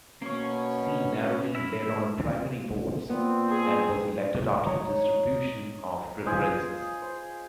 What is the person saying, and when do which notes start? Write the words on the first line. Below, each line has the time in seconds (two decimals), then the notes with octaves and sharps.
She narrowly led on primary votes and was elected after the distribution of preferences.
0.22 B2 A#3 C#4 C#5 C#6
1.55 E4 A#4 E5
3.09 A#2 B3 C4
3.49 G#4 G#5
4.65 C#5 D#5 A#5
6.26 F4 G#4 C5 D#5
7.02 C5